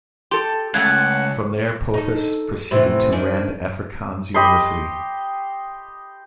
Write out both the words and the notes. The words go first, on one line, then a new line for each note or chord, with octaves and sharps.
From there Pothas proceeded to Rand Afrikaans University.
G4 A4 C6
C#2 C#3 A3 F#5 F#6 G#6
D#4 A4
A2 C3 E3
D#3 C#4 D4
G4 D#5 B5 C6